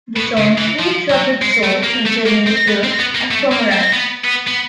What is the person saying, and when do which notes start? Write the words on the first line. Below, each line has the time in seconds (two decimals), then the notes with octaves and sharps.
The song "Sweet Troubled Soul" featured in the film "Aquamarine".
0.16 B2
0.37 C#3
0.58 E3
0.79 F3
1.11 F#3
1.42 G#3
1.63 A3
1.83 A#3
2.06 A3
2.26 A#3
2.47 C4
2.68 B3
2.84 C4
2.99 B3
3.15 A#3
3.31 A3
3.52 A#3
3.72 C4
3.93 B3
4.24 B3
4.48 B3